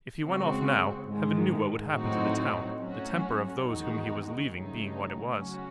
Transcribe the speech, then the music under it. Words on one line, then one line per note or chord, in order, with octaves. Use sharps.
If he went off now, Heaven knew what would happen to the town, the temper of those whom he was leaving being what it was.
C#3 G#3 C4 F#4
G#2 D#3 G#3
A2 F#3 C4 D#4 F#4
A2 F#3 C#4 F#4
E2 D#3 G#3 D#4 F#4
C#3 F#3 A3 D#4
C#3 F#3 C#4 F#4